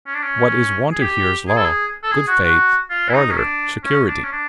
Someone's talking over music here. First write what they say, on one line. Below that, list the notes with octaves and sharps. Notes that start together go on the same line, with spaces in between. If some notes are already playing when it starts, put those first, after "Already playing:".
What is wanted here is law, good faith, order, security.
C#4
D4
C#4
G#4
G4
G#4
A4
G#4
A4
G#4
F#4
F#4
F4
E4
D#4
C#4
D4
C#4
D4
C#4
D4